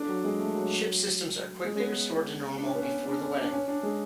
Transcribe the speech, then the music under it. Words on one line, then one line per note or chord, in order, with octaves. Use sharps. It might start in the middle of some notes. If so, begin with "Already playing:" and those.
Ship systems are quickly restored to normal before the wedding.
Already playing: D4 A4
F#3
G#3
A3
F#3
G#3
C#4
B3
B3
D4
C#4
B3
C#4
D4
C#4
D4
C#4
D4
G#3